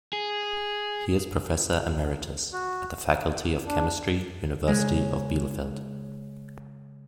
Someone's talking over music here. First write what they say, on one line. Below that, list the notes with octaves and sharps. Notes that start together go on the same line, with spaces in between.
He is Professor Emeritus at the Faculty of Chemistry, University of Bielefeld.
G#4
F#4
D4
C#3 G#3